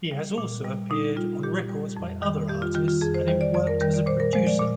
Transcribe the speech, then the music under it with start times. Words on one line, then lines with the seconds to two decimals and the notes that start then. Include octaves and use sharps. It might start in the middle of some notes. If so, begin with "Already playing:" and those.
He has also appeared on records by other artists and worked as a producer.
0.11 G3
0.38 A#2
0.64 G3
0.90 A#2 D#4
1.17 G3 F4
1.43 A#2 G4
1.70 G3
1.97 F2
2.22 D#3 G3
2.48 F2 G4
2.62 F4
2.75 D#3 G3 F4
2.88 F4
3.01 F2 G#4
3.14 C5
3.28 D#3 G3 C5
3.41 D5
3.54 F2 D5
3.67 A#4
3.81 D#3 G3 A#4
3.94 D5
4.06 A#2 C5
4.20 A#4
4.33 F3 G#3 C5
4.46 D5
4.59 A#2